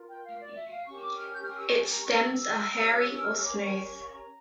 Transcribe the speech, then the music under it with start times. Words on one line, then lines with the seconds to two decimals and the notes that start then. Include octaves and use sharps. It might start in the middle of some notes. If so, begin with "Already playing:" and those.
Its stems are hairy or smooth.
Already playing: F4 A#4
0.09 G5
0.24 F5
0.40 D5
0.55 E5
0.71 F5
0.87 C#4 G4 A#4 C#6
1.02 D6
1.18 F6
1.34 G6
1.45 F6
1.57 E6
1.69 C#6
1.80 A5
1.92 A#5
2.04 C#6
2.15 E6
2.74 C#4 G4 A#4 C#5
3.20 F6
3.32 E6
3.44 D6
3.55 C#6
4.14 A#5